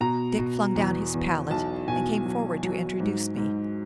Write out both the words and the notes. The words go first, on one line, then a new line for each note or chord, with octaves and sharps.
Dick flung down his palette, and came forward to introduce me.
B2 A#5
B2
E2
E2
B1 A5
B2 G#5
F#3
F#3
G#2
G#2